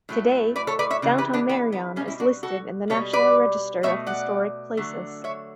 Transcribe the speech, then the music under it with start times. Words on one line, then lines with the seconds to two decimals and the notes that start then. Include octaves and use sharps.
Today, downtown Marion is listed in the National Register of Historic Places.
0.09 A2 F#3 A3
0.56 B4 D5
0.67 A4 C#5
0.79 B4 D5
0.90 C#5 E5
1.02 C#3 E3
1.18 G4 B4
1.33 B3 D4
1.49 B3
1.72 B3
1.96 B2 G3 A3 C#4
2.08 C#4 E4
2.20 D4 F#4
2.43 F#4 A4
2.90 B2 G3 A4 C#5
3.13 B4 D5
3.83 B2 A3 C#5 E5
4.07 D5 F#5
4.77 D3 F#3 A3
5.24 C#5 E5